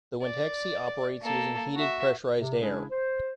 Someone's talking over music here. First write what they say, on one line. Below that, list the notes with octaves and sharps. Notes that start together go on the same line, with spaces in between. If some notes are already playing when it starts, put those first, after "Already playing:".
The Windhexe operates using heated pressurized air.
D5
A#3 A4
F#4 E5
C3
C#3 G#3 C#4 D4 E4 G#4
C5